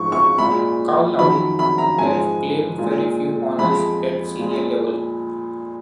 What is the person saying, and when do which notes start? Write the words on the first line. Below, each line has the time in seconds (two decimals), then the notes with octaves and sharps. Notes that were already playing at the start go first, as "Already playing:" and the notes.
Carlow have claimed very few honours at senior level.
Already playing: G#2 F3 G#3 C#6
0.12 C#6
0.38 A#2 G#3 B5
1.18 F2 D#3 F#3 B5
1.59 B5
1.78 A#5
1.98 G#2 F3 G#3 G#5
2.78 A#2 G#3
3.58 F2 F3 G#3 B5
4.38 A#2 G#3